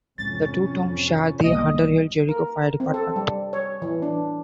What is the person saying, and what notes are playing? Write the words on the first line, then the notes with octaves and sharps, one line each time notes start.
The two towns share the Underhill-Jericho Fire Department.
F2 G#2 C3 E3 C#4 A6
B1 E2 G2 G3 A3 A#3 D#5
A#4
C4
A4
G3
C#5
E3
D4